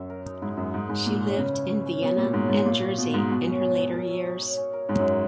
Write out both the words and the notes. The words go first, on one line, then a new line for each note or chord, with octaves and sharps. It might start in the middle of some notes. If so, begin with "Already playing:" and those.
She lived in Vienna and Jersey in her later years.
Already playing: F#2 F#4 E5
A#4
D#4
G#2 E4
F#2 D#5
G#2 D#4
G#2 G#3
A#2 E4
C#4
C#3 B4
E4
F#4
C#4
B2 E4
A#2 E5
G#2 C#4
G#2 B4
A#2 A#3
F#4
B2 D#4
G#2 D#5
B2 F#4
C#4
C#4
F#3
A#4
E5
D#4
C#5
C#4
A#4
G#2 C#4
F#2
C#5